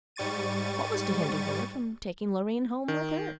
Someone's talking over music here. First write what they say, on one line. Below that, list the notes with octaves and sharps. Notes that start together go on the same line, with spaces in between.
What was to hinder her from taking Loreen home with her?
G#2 G3 C#6 A6 D#7
D#3